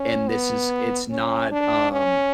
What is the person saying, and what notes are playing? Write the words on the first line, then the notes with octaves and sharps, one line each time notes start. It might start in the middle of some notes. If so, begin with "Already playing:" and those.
and this is it's not, um,
Already playing: C#4
B3
C#4
D4
C#4